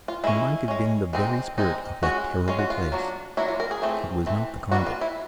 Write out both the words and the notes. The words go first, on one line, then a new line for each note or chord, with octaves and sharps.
He might have been the very spirit of that terrible place. It was not the convict.
F4
G#3 C#4 E4
G#3 C#4
G#3 C4 D#4
G#3 C4 D#4
G#3 C#4 F#4
G#3 C#4 F4
F#4
F4
F#3 A#3 D4
F#3 A#3 D4 E4
F4
A#4
G#4
E3 A3 C4
E3 A3 C4
D#3 G3 A#3 F#4
F4
E4